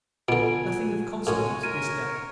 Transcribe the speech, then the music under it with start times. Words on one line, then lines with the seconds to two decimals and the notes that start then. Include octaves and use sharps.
Nothing of consiquence this day.
0.28 B2 D3 F4 G#5 D7
1.27 F#2 A2 G#3 C#5 G#5
1.63 A#4 C#5 D#7